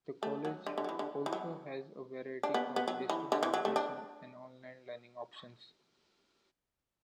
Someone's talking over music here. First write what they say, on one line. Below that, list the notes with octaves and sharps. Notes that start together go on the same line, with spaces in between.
The college also has a variety of distance education and online learning options.
A3
F#3
D3
D3
F#3
E3
D3
E3
F#3
D4
B3
B3
F#3
E3
D3
E3
F#3
A3
D4